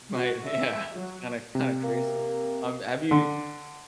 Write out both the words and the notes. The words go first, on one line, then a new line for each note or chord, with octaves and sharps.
you might Yeah. It's kinda kinda crazy. Um, have you
F#4
E5
F#3
C3
A#3
D3